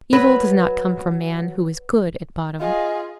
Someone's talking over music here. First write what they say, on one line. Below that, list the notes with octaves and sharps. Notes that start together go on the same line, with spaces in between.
Evil does not come from man, who is good at bottom.
F#3 B4
F4 G#4 D#5